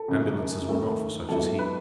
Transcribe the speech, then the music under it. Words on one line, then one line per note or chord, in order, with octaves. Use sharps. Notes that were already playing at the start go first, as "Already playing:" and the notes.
Ambulances were not for such as he.
Already playing: A4
G#1 F#2 C#3
D#2 D#3 A3
G#2 F#3 B3 E4 A4
A4
B4